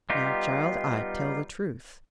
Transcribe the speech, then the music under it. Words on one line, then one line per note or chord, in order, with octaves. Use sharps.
Now, child, I tell the truth.
G3 B3 D#4 F4 G4